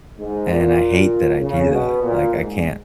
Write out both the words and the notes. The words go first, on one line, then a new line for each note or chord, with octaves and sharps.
and I hate that I do that, like, I can't
G#2
A#2
C#3
B2
A#2
G#2